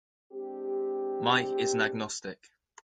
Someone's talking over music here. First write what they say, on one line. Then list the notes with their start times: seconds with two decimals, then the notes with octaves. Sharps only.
Mike is an agnostic.
0.32 G#3 C4 D4 G4